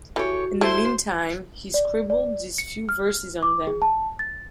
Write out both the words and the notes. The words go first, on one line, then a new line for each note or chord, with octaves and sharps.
In the meantime, he scribbled these few verses on them.
E3 F#4 G4 A4 C#5
A3 E4 C5 C6
D5
D5
C#7
F6
D6
G#4
A5
A6